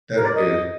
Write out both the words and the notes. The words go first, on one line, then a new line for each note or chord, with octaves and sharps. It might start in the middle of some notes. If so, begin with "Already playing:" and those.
That's good.
A#4
D5
D#5